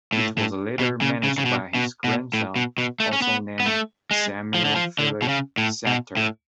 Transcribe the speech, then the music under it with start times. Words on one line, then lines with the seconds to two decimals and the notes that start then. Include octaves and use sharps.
It was later managed by his grandson, also named Samuel Philip Sadtler.
0.13 A2
0.38 A2
0.79 B2
1.01 C#3
1.23 C#3
1.38 C#3
1.45 B2
1.75 B2
2.04 B2
2.34 A2
2.56 B2
2.78 B2
3.00 A3
3.13 C#4
3.22 B3
3.60 B3
3.66 A3
4.11 G#3
4.54 F3
4.65 D3
4.76 F3
4.99 D3
5.22 B2
5.28 C#3
5.58 A2
5.87 B2
6.17 A2